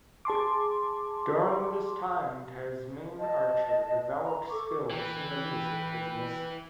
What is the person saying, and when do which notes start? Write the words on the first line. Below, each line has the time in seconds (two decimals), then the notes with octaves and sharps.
During this time, Tasmin Archer developed skills in the music business.
0.25 G#4 A5 C6 D6
3.19 D#5 A5
4.23 A#5
4.50 A4 C#6 D6
4.90 E3 B4 G5